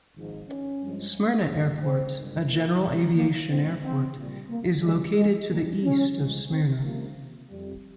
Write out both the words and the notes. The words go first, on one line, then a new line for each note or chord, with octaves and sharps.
Smyrna Airport, a general aviation airport, is located to the east of Smyrna.
G#1 G#2 F3 G#3
C#4
G2 F3 G#3
G2 G3
C4
G1 G2 D#3 G#3
A#3
C2 C3 D#3 G#3
A#3
C2 A#2 G#3 C4
C4
A#1 A#2 G3
A#3
D#2 C#3 G3 G#3
G#3
F2 C3 G3 A#3
C#4
C#2 C#3 F3 G#3
C4
C#2 C3 F3 A#3
F2 C3 G3